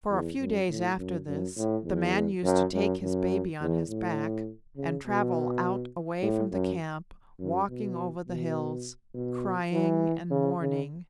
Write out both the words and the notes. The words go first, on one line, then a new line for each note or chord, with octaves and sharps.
For a few days after this, the man used to take his baby on his back and travel out away from the camp, walking over the hills, crying and mourning.
E2
F#2
A2
F#2
F#2
A2
E2
F#2
F#2
F#2
E2
A2
C#3
B2
A2
F#2
F#2
B2
B2
B2
E3
C#3
C#3